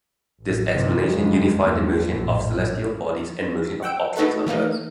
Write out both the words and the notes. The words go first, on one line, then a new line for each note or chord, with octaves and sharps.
This explanation unified the motion of celestial bodies and motion of objects on earth.
A1
G2 C3 D#3 E3 F#3
F2 C#3 G3 G#3
G#1 E2 G2 F3 A#3
A#1 F#2 A2 A3
G2
F#5 G5 E6 D7
A3 D#4 F#4 A4 B4
E3 A3 A#3 D#4